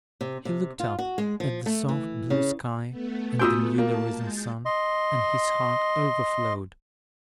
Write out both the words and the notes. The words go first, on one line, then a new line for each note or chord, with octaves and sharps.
He looked up at the soft blue sky and the newly-risen sun, and his heart overflowed.
C3
C3
F4
F#4
G#3
F3
A3
E3
C#3
A3 B3
F4 F#4 G#5 D#6 E6 G6
A#3 A5
G#3 G6 A6
D#5 C6